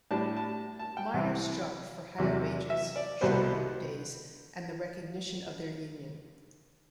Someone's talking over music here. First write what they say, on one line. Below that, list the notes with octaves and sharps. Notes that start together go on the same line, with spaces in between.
Miners struck for higher wages, shorter workdays and the recognition of their union.
A2 G3 D4 A5
A5
A5
G5
C2 C3 E3
E2 C3 F#3
E5
D5
C2 B2 G3 B3 C5